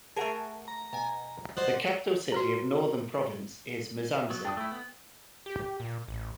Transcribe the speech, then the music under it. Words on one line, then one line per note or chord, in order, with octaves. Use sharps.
The capital city of Northern Province is Musanze.
A3 G#4 A#4 F#5 A5
A#5
B2 G#5
C5 D5 D#5 F#5
F#4 B4 A#5
F#3 B3
D4 G5 D#6
A3 E4
B3
G4
A#2
A1